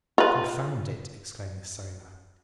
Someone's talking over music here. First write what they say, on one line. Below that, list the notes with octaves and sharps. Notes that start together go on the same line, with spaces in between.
"Confound it!" exclaimed the sailor.
F4 B4